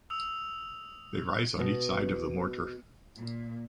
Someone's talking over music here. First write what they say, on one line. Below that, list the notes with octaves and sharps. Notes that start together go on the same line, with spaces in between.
They rise on each side of the mortar.
D#6 E6 F7
B2
A#2